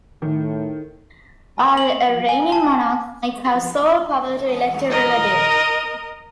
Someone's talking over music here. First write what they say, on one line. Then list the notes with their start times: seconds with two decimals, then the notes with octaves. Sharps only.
Or a reigning monarch might have sole power to elect a relative.
0.22 A2 D#3
1.77 F#7
2.29 G#5
2.52 A5
4.90 A#4 D#5